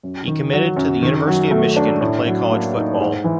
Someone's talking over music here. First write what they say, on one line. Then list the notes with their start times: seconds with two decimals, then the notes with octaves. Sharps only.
He committed to the University of Michigan to play college football.
0.03 F#2
0.27 D#3
0.53 F#3
0.77 F#2
1.02 D#3
1.27 F#3
1.51 A3
1.76 D4
2.01 A2
2.26 F#3
2.51 A#3
2.76 D#4
3.00 G#2
3.24 E3